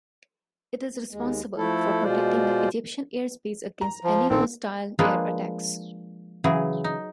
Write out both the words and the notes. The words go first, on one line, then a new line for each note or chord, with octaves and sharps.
It is responsible for protecting the Egyptian airspace against any hostile air attacks.
D#2 G#3
F3 A3 E4 A4
B2 G#3 F4 C5 D5
A#5
F3
A#1 D#3 C4 A4
F3 G#3 A#3 D4 G#4 B4
C#3 E3 F#3 G#4
D#4